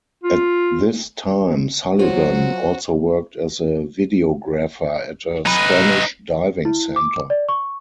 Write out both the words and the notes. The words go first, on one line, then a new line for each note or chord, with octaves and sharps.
At this time Sullivan also worked as a videographer at a Spanish diving centre.
F4
F#3 F4 F#4 C5 C#5
D#4 B4
E4
D6
D5
C#6